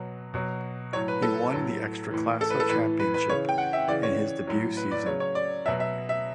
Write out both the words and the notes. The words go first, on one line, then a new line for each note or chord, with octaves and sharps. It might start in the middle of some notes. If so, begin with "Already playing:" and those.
He won the Ekstraklasa championship in his debut season.
Already playing: B2 F#3
B2 F#3
A2 F#3 C#5
B4
A4
A2 F#3
A2 E3
A4
B4
A4
A2 E3 B4
B4
B4
C#3 E3 C#5
G5
F#5
E5
C#3 E3 D5
C#5
A2 F#3
B4
D5
C#3 F#3 C#5
C#5
D5
B2 F#3 E5
E5
E5